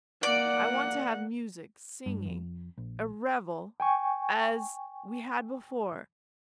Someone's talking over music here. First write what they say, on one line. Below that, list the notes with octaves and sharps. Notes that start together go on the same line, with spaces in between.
I want to have music, singing, a revel, as we had before.
A#3 D5 F#5
G2
F2
A#1
G5 G#5 C#6